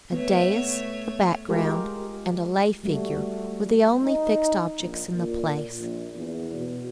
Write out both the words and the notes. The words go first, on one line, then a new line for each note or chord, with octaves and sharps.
A dais, a background, and a lay-figure were the only fixed objects in the place.
A3 B3 C#5
G#3 F4 G4 A#4
G3 A3 F#4
D#4
A#1
A#2
A#1
E2
B2